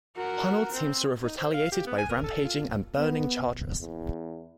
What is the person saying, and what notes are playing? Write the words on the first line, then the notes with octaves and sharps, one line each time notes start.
Hunald seems to have retaliated by rampaging and burning Chartres.
F#4 A#4
C4
D#4
C5
F5
G4
B3
G#5
A#4
A4
F4
B3
E2